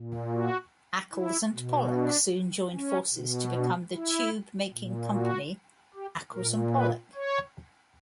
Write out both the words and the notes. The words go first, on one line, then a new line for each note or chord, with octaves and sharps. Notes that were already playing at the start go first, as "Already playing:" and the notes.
Accles and Pollock soon joined forces to become the tube-making company Accles and Pollock.
Already playing: A#2
F#4
E4
B2
D4
C#4
B2
D4
E4
A#2
F#4
G4
A#2 A#4
B4
C#5